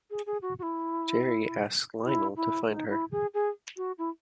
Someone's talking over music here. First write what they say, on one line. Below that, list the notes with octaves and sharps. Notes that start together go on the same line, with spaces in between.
Jerry asks Lionel to find her.
G#4
G#4
F#4
F#4
E4
E4
E4
D#4
E4
G#4
G#4
F#4
E4